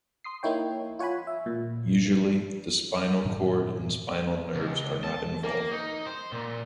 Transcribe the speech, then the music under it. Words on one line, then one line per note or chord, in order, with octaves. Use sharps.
Usually the spinal cord and spinal nerves are not involved.
C6 D#6 C7
A#3 D#4 E4 C#5 G5
F4 C#5 F#5 G#5 B5
E5
A#2
G2 A#2 D#3 D4
C#2
A5
A#3
D#4
C5
A#2